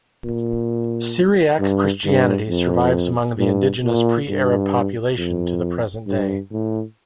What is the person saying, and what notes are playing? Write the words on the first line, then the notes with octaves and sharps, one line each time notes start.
Syriac Christianity survives among the indigenous pre-Arab population to the present day.
A#2
G2
G2
F2
G2
A#2
G2
F2
G2
A2